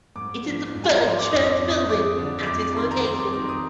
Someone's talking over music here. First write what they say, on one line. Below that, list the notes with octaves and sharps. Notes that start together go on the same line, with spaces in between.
It is the third church building at this location.
G#2 D6
F3
G#2
G#5
A#5
F3 C6
D6
F2 D#6
D6
F2
D#6
F3 D6
D3
F2 D6
D6
D#3 C6
A#5
F2 C6
D6
D#3 D6
D#6